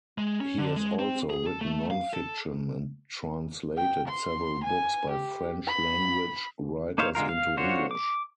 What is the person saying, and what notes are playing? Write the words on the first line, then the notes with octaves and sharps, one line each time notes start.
He has also written non-fiction, and translated several books by French-language writers into English.
G#3
C#4
D3
G#3
C4
G#4
A4
A3
F5
A4
G5
C6
G#5
G4
B5
A#3 D#4 C5 C#5 F5
D3 G#3 F4 A#4
F5
D4 F4 F#4 C5 C#5
D6